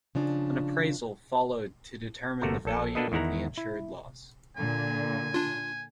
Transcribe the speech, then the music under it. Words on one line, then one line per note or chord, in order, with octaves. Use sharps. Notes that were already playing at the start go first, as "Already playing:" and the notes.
An appraisal followed to determine the value of the insured loss.
C#3 F3 D4
G1 C3 A3 F#4 A4 A#4
A#1 A4
A#3 B3 D4 A4 B4 D#5
E2 D#3 E4 F#5 A#5
E4
A#2 D3 G#5
D4 F4